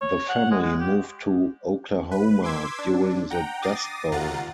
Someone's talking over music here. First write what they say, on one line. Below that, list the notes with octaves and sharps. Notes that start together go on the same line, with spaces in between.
The family moved to Oklahoma during the Dust Bowl.
C#5
F#5
G#3
G#3
G4
B4
C6 D6 E6 G#6 B6
D4
F#5 G5 A#5
D6 D#6 A6 A#6 C7 D#7
D#2 F4 F#5 A#5 A6